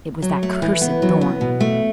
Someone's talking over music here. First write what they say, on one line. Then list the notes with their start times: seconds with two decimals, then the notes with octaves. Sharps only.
"It was that cursed Thorn."
0.22 F#3
0.43 A3
0.62 E3
0.81 B3
1.02 F#3
1.21 B3
1.41 B2
1.61 A3